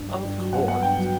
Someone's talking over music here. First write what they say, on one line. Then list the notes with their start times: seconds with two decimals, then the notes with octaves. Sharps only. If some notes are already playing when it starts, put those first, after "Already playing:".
Of course.
Already playing: G2
0.09 G3
0.23 G2
0.38 F#3
0.53 G2 F#5
0.68 B3 F#5
0.82 G2 G5
0.97 F#3